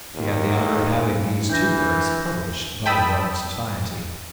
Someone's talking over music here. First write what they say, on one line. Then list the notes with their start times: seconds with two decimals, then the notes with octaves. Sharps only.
She had the honor of having these two works published by the Royal Society.
0.15 D#2
1.50 E3 D4 G6 A#6
2.86 G5 A5 B5 D#6 E6